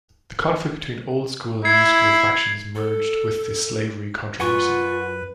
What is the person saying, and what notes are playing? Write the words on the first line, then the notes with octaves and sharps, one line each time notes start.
The conflict between Old School and New School factions merged with the slavery controversy.
E4 G#6 C7
A4
F#2 F4 B4 F#5 G#5 C#6